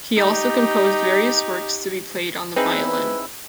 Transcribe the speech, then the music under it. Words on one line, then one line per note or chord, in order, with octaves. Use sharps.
He also composed various works to be played on the violin.
D#4 G4
C4 D#4 E4 G#4 B4 E6